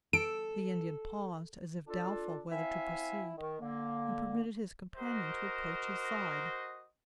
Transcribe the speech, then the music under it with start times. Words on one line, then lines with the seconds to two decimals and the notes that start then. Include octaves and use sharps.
The Indian paused, as if doubtful whether to proceed, and permitted his companion to approach his side.
0.13 A4 D7
1.88 D4 F4 A4
2.51 C4 E4 E5 F5 G#5
3.38 D#3
3.60 D3 A#3
4.95 F#4 A#4 C5 D#5